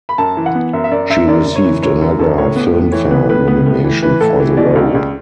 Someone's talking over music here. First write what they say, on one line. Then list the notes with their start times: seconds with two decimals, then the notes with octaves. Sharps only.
She received another Filmfare nomination for the role.
0.09 B5
0.18 F#2 A5
0.37 E3
0.46 F#5
0.55 B3
0.73 F#2 E5
0.84 E5
0.92 F#2 D5
1.10 F#2 E5
1.28 F#2 D5
1.46 F#2
1.56 C#5
1.64 E3
1.83 F#2 C#5
2.01 F#2
2.19 F#2 A4
2.38 A2 C#5
2.56 B3
2.74 A2
2.92 E3 C#5
3.11 B3 B4
3.29 A2 B4
3.48 B3 B4
3.66 A2
3.84 E3
4.02 E3 B4
4.21 A2 A4
4.40 E3
4.57 B2 D5
4.75 C#2
4.95 C#2